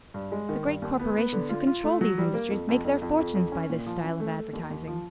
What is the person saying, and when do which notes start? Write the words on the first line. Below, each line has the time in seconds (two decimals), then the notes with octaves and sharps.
The great corporations who control these industries make their fortunes by this style of advertising.
0.14 G2
0.32 G#3
0.49 D#3
0.66 G2
0.82 D#2
1.00 B3
1.17 B3
1.32 D3
1.49 F4
1.67 F4
1.84 A3
2.01 F#3
2.18 G3
2.34 A#3
2.51 F2
2.69 F2
2.85 F2
3.02 F2
3.19 F2
3.35 F2
3.52 C#4
3.70 A#2
3.86 F3
4.04 C#4
4.20 A3
4.37 A3
4.53 D#2
4.70 D#2
4.87 F3